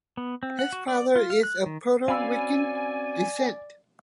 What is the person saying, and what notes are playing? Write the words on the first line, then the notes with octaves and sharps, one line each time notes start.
His father is of Puerto Rican descent.
B3
C4
F#5
F#4
D5
F4
F5
F#6
D#3
C4 C#4 F#4 D5 F5 G#5 B5 E6